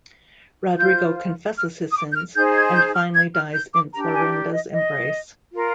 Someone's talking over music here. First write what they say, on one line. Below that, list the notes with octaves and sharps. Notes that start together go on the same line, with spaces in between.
Rodrigo confesses his sins, and finally dies in Florinda's embrace.
F4 C5 G6
F6
D#6
D6
G6
F6
D#4 G#4 C5 G6
G#6
G6
F6
G#6
F6
G6
D6
D4 G4 A#4 A#5
G#5
D5
D#5
D#5
F4 A#4